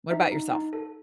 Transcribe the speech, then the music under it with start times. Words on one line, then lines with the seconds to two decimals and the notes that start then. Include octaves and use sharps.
What about yourself?
0.10 D#4 E5
0.31 D#4
0.52 D#4
0.73 A4